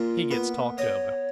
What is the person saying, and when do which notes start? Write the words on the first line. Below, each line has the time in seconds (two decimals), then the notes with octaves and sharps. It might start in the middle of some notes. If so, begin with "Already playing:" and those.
He gets talked over.
Already playing: A#2 F4
0.31 B3
0.77 C#5 D#5